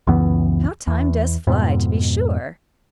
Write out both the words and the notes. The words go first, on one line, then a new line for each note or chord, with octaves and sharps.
How time does fly, to be sure!
C#2 F#2 E3 B3
E2
F2 G#2 B2